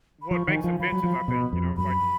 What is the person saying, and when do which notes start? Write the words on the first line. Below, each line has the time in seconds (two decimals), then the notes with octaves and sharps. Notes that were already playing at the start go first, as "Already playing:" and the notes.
what makes inventions, I think, you know? Like
0.22 B5
0.31 F3 C#6
0.48 D#3
0.55 G#5
0.64 F3
0.80 F3 B5
0.92 F#3
1.04 F3
1.28 B2
1.53 F2
1.77 F#2 B5